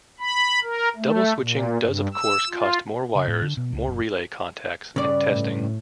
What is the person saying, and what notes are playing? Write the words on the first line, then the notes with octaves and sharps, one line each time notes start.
Double switching does of course cost more wires, more relay contacts, and testing.
B5
A#4
A3
A#2
G2
E6
F4
C#3
A2
D3
B2
C#2
F#1
G2 C#3 D5
A2